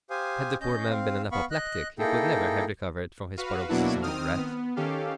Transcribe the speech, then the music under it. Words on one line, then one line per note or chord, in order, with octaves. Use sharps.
Had the poor man been an apoplectic, he could never have recovered from his paroxysm of wrath.
G4 C5 F5 G#5 D#6
C#4 D#5 G6
C4 F5
B3 F5 B5 C#6
D#5 F#6
A#3 D#4 E4 G#4 A4 G5
F#4 B4 F5
B2 F#3 A#3 D4 E4 F#4
D#3 C4 D#6 F6
B3
D#3 C#4 G4 A4 F5